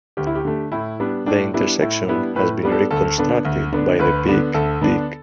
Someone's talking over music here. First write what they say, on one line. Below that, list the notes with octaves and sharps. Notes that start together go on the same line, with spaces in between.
The intersection has been reconstructed by the Big Dig.
D2 G4
E4
G4
D3 A3
A2 E4
G3 B3 D4
A2 D4
G3 B3 D4 E4
A2 E4
G3 B3 D4 E4
A2 B4
G3 B3 D4
A4
D2 A4
D3 B3 D4
D2
D3 B3 D4
D2 B4
D3 B3 D4
D2 A4
D3 B3 D4